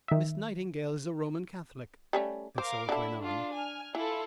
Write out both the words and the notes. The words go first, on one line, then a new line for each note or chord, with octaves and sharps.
"Miss Nightingale is a Roman Catholic!" And so it went on.
D#3 E5
G3 A3 C#4
A#4 C5 F5 D6
D3 E4 A4
D4 F4
G#5 F6
E3 E4 F4 A4